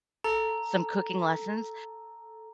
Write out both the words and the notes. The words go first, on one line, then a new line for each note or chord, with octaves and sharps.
some cooking lessons
A4 A#5